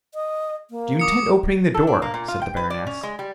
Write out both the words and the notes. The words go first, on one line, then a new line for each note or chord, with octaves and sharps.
"Do you intend opening the door?" said the baroness.
D#5
A#3
D6 D#6 C#7
A4
D4
A#3
A#2
F4
G5
B4
D5
C#4
G#3
G3